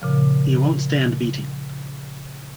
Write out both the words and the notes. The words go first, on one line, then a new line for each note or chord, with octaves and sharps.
He won’t stand beating.
A#2 C#3 F3